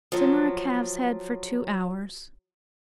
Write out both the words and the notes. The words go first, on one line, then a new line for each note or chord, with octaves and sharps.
Simmer a calves' head for two hours.
F3 F#3